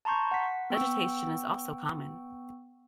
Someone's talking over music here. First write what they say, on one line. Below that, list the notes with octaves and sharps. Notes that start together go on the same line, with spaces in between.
Vegetation is also common.
A5 A#5 C6 C#6 G6
F#5 B6
B3 G5 C#6 E6